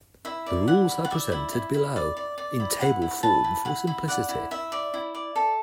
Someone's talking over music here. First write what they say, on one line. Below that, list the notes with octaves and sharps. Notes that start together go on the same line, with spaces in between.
The rules are presented below, in table form for simplicity.
E4 E5
D5
E4 F#5
E4
F#5
D5 E5
E4
E4
E4
D5
D5
D5
E4
E4 F#5
E4
B4 A5
E4
E4 F#5
E4
D5 F#5
E4
E4 E5
D5
E4
D5
A4